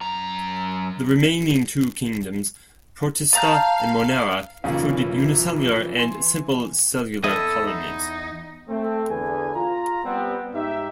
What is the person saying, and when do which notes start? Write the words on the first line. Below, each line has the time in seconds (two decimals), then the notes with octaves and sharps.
The remaining two kingdoms, Protista and Monera, included unicellular and simple cellular colonies.
0.01 F#2 A#5
3.33 F5 A5 A#5 G6
4.64 F1 B1 C#3 E3 A#3 F4
5.97 G#5 C6
7.24 E2 E4 A4 D#5
7.66 D#4
8.69 A3 C4
9.10 E2 D3 G#4 B4 G#5
9.54 F4 A#5
10.05 G3 B3 C4
10.54 G#2 D#4 G4 E5